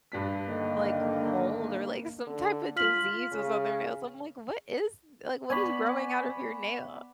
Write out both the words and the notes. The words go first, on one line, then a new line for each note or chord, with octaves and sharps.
like mold or, like, some type of disease was on their nails. I'm like, "What is like, what is growing out of your nail?"
G2 D4 B6
D3 D#3 A#3
D3
F4 F6 B6 F#7
C#3
B3 D5 G#5 B5 C#6 D6